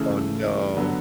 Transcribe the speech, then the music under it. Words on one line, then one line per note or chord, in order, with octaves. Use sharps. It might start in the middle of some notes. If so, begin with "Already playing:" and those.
Oh, no.
Already playing: C#3 E3 A3
D3 F#3 B3